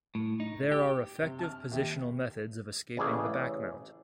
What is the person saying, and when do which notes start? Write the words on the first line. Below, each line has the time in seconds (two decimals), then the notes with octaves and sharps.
There are effective positional methods of escaping the back mount.
0.15 A2
0.40 D#4
0.72 G4
1.22 C3
1.39 A5 F6
1.72 D#2 G4 E5
2.97 A1 C#3 A3 G#4 D5